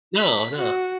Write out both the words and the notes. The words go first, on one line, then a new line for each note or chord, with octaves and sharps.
No, no.
B6
F#4